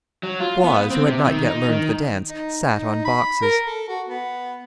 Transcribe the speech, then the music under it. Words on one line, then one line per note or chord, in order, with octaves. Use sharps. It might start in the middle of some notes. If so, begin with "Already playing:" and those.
Squaws, who had not yet learned the dance, sat on boxes.
F#3
F4
B3
C4
C3
D#3
D#4
D#3
D#4
D#4
B5
A#4
A4
F#4
B3